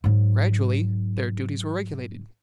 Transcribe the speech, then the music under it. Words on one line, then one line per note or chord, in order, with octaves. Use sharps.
"GRADUALLY their duties were regulated."
G#2 F#3